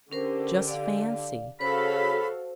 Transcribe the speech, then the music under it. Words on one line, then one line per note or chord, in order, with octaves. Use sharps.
Just fancy!
D3 C#4 G4 A#4 C5
D5 F5
C#3 F#4 A4 C5 F5 B5